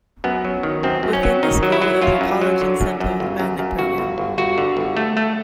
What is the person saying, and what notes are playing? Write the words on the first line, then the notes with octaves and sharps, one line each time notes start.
Within the school is a College Incentive Magnet Program.
F#2 B3
F#3
D#3
F#2 C4
F#2
C#4
F#3
D#3 D#4
F#3
E4
F#3
F#2 F4
F#2
F#3
D3
F#2
F#2
G1
F#2
F#2
G1 F#4
G1
G1
G1 F#4
D3
G1
A3
A3